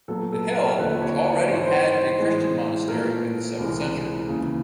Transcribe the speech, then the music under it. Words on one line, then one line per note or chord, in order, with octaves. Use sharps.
The hill, which already had a Christian monastery in the seventh century.
A#2 F#3 B3 A4
A4
A#4
D#2 D3 F3 A3 C4 B4
C#5
C#5
D5
C#5
G#2 E3 G3 C4 C5
C#5
C5
A2 E3 G#3 C4
A#2 F3 A3 A#4
C#2 C3 E3 G#3
D#2 C#3 E3